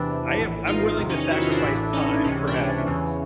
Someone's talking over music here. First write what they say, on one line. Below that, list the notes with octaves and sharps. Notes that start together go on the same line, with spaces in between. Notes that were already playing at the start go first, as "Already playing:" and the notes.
I am I'm willing to sacrifice time for happiness.
Already playing: E2 C3 E3 D4 E4
A#1 A2 E3
D#4 F4
E2 C3 D#3
C#4 D#4
C#4 D#4
E4 F#4
D#4 F4
D4 E4
A1 A2 E3
C#4 D#4
C#2 C3 E3 C#4
D4
C#4
E2 C#3 E3